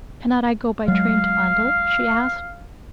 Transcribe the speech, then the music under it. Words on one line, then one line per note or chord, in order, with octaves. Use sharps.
"Cannot I go by train to Oundle?" she asked.
F#3 G#3 F5